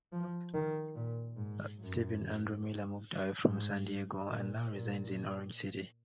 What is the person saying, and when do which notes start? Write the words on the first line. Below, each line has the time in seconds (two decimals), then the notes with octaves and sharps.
Steven Andrew Miller moved away from San Diego and now resides in Orange County.
0.12 F3
0.54 D#3
0.95 A#2
1.36 G#2
1.79 F#2
3.46 G#2
4.29 A#2
4.71 A#2